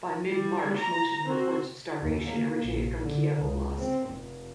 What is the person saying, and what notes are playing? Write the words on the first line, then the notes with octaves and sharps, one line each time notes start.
By mid-March, most of the reports of starvation originated from Kiev Oblast.
G3
A#5
C4 F#4
D#2
A#3
A#1
D3
C#2
C4
F1